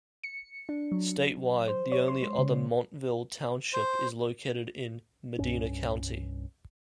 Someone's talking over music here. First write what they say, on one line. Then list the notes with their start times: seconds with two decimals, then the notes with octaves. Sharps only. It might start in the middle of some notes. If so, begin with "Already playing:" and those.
Statewide, the only other Montville Township is located in Medina County.
0.23 C#7
0.69 D4
0.92 F#3
1.68 C5
1.92 C#5
2.08 C6
2.22 G#3
2.38 C#3
3.74 C5
5.38 C2 G2 C#4